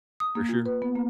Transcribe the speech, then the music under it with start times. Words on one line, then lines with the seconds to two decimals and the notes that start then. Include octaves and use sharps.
For sure.
0.20 D#6
0.35 A#3
0.49 F4
0.66 B4
0.82 B3
0.95 A#3